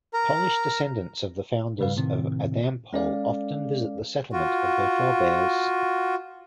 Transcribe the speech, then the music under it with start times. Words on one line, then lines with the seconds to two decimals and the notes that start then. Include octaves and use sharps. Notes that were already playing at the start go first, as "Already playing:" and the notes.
Polish descendants of the founders of Adampol often visit the settlement of their forebears.
0.14 A#4 A#5
1.79 G#2 C#3 G3 B4 F5
1.96 A2 C3 D#3 C4
2.93 G#3 C#4 A4 D5 F5
4.33 F4 F#4